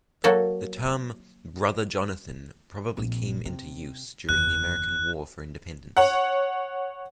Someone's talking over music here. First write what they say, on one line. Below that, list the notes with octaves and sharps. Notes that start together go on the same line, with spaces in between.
The term "Brother Jonathan" probably came into use during the American War for Independence.
F#3 A#3 F#4 A4
A#1 C4
C3
F#1 E2 F#6
C#5 F#5